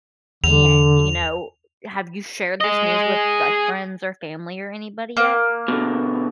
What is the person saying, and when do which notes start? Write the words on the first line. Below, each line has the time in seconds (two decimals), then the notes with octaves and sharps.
And, you know, have you shared this news with, like, friends or family or anybody yet?
0.44 E2 D3 F7
2.61 G#4 D#5
5.17 A#3
5.68 B2 D3